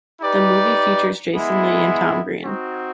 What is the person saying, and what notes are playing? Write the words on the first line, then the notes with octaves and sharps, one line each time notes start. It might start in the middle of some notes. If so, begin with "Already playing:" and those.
The movie features Jason Lee and Tom Green.
D#4 G4 B4 D5
G#3 B3 E4
C4 D#4 F#4